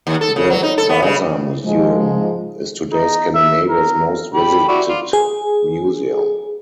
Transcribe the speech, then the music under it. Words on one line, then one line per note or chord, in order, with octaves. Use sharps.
The Vasa Museum is today Scandinavia's most visited museum.
D#2
A4
C#3
F#3
D#4
A4
B3
C#3
G#2 F3 G#3
D#4
E5
A#4
G4 B5
E4 F#4 D5
F4 D5
G#4